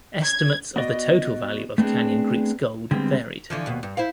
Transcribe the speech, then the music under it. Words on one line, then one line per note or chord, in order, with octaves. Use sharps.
Estimates of the total value of Canyon Creek's gold varied.
G#6
B3 F#4 D5 D#5
A3 B3 C4 D4 G#4
D3 G3 G#3 B3 C4
D3 E3 F3
D#2 B2
G2
E4 C5 F5